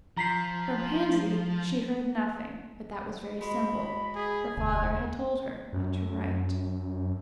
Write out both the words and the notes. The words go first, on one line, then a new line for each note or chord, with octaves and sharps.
From Pansy she heard nothing, but that was very simple: her father had told her not to write.
F3 A#5 B6 C7
G#2 G#3 F#4 B5
G#4
E1 D2 G#5
F#2